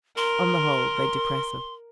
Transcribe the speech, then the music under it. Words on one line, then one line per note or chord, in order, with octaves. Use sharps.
On the whole they depress us.
A#4 C6